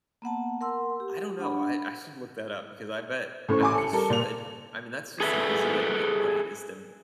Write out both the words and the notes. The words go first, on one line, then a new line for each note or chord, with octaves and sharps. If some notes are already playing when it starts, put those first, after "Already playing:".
I don't know, I I should look that up because I bet I mean, he should. I mean, that's just an easy way to make money is to m
A#3 B3 F#5 A5
A#4 F#5 C6 E6
G4
D4 F#5 B5
A2 C#4 C5 C#6
A1 G#5 D6
A4 C#7
G3 A4 A#4
A#2 F7
G#4 A4 B4 E5